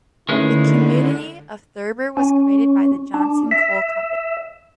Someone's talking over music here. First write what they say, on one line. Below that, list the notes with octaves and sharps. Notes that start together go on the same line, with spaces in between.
The community of Thurber was created by the Johnson Coal Company.
D3 D#3 G#3 A3 C#4 E4 B4
C#4
D4
E5